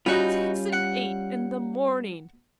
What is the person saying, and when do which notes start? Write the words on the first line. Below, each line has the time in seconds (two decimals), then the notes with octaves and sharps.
Six and eight in the morning!
0.06 G3 C#4 D#4 F4 F#4 B5
0.73 F#5